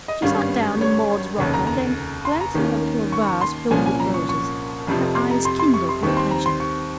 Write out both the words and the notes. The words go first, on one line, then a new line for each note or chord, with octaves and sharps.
She sat down in Maude's rocker, then, glancing over to a vase filled with roses, her eyes kindled with pleasure.
D#5
G#1 G2 G3 C#4 F5
C#5
F1 D#2 C#3 C#5
A#5
A#5
C6
A#5
D#2 D#3 A#3 C#4
C#6
C#6
C6
C2 A#2 F3 A#3 C#4 G#5
G#5
A#5
C#6
C#6
F1 F2 C3 F3
C6
A#5
C6
C6
C#6
C6
D#2 D#3 G3 C4 C#6
C6
A#5
C6
C#6